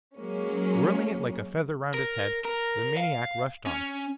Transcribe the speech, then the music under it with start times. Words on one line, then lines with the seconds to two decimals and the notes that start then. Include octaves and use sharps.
Whirling it like a feather round his head, the maniac rushed on.
0.16 F#3 G#3 A#3 C#4
1.94 A#4
2.45 A#4
2.97 F5
3.66 C#4